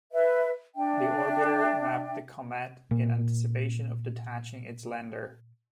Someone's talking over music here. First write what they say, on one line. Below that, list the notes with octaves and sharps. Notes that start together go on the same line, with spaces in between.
The orbiter mapped the comet in anticipation of detaching its lander.
B4 E5
D4 E5 G5
A#2 A#3